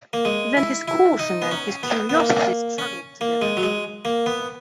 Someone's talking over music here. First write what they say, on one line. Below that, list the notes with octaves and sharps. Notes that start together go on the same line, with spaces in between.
Then his caution and his curiosity struggled together.
A#3
G#3
E4
E4
D#4
B3
C#4
B3
B3
A#3
C#4
A#3
G#3
F#3
G#3
A#3
B3